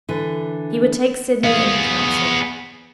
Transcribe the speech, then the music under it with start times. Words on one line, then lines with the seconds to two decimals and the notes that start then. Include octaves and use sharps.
He would take Sidney into council.
0.09 D3 E3
1.44 B3 G#4 F5